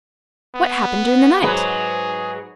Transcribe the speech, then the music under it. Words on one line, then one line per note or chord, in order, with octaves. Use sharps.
What happened during the night?
B3
G#2 F#3 G#4 B4